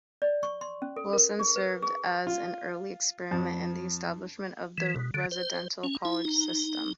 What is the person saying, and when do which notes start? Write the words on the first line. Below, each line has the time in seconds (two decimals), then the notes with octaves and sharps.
Wilson served as an early experiment in the establishment of the residential college system.
0.22 D5
0.43 C#6
0.61 C6
0.82 C#4
0.96 A4
1.13 A#4
1.39 G#4
1.56 B4
1.82 G#4
2.27 F4
3.31 F2
4.78 E3
4.96 B2
5.14 D3
5.31 C5
5.84 C#4
6.05 E4
6.25 D#4